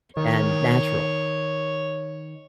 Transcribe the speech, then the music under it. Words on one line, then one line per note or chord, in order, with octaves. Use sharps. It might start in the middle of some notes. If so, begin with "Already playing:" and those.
and natural,
D#3 C#5